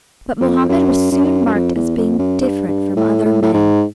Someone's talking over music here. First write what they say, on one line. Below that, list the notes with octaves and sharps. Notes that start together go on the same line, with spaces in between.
But Mohammed was soon marked as being different from other men.
F2
F#2
F#2
F#2
F2
E2
F2
F#2
G2
G2
A2
A2
A2
G#2